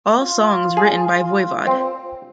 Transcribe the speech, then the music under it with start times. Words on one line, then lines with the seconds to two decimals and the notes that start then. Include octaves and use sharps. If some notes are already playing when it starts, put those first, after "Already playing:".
All songs written by Voivod.
0.20 F4
0.77 G#4
1.67 C4